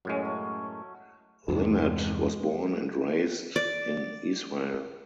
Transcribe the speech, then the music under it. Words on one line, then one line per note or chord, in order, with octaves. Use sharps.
Linet was born and raised in Israel.
F#2 A2 F#3 G#3 C#4
A3
E2 G2 C3 G#3
D5